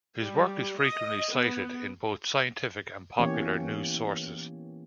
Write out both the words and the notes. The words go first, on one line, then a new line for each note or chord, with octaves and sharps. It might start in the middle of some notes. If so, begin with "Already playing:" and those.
His work is frequently cited in both scientific and popular news sources.
G3
D#5
B3
E3 A#3 B3 C#4 G4 C#5